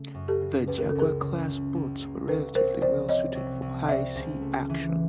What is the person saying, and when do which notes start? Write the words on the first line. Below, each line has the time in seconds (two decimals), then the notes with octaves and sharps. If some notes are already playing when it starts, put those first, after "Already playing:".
The "Jaguar"-class boats were relatively well suited for high sea action.
Already playing: C#3 A3
0.15 F#2
0.28 G4 A4
0.41 C#3
0.68 C#2 B4
0.78 A#4
0.89 A4
0.95 C#2 G#4 A#4
1.22 C#3
1.49 C#2
1.75 C#2
2.02 A#3
2.28 C2 A4 B4
2.55 C2 A#4 C5
2.82 F3 C5 D5
3.09 C3 C#5 D#5
3.35 C2
3.62 C2
3.88 C3 D5 E5
4.16 C#2
4.42 A3
4.69 E3